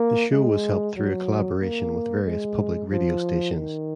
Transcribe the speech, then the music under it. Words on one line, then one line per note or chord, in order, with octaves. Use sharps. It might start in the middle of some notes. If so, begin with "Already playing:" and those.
The show was helped through a collaboration with various public radio stations.
Already playing: A#3
G#3
F#3
A#3
G#3
F3
D#3